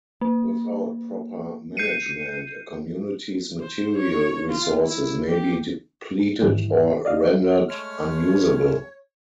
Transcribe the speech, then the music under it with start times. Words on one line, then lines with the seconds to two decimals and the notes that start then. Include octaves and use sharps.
Without proper management, a community's material resources may be depleted or rendered unusable.
0.21 A#3
1.77 G6 C7 C#7 D#7
3.60 C5
3.97 C#5
4.49 F4
4.84 E4
5.28 G4
6.41 G#2 D#3 E3 G3
7.05 D5 D#5 F5
7.68 G#3 A3 C#5 F6